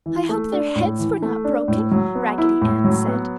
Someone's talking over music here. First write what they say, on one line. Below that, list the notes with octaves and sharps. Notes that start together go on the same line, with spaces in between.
"I hope their heads were not broken!" Raggedy Ann said.
E3
A3
D4
A2
E3
A3
D4
A2
F#3
B3
E4
A2
F#3
B3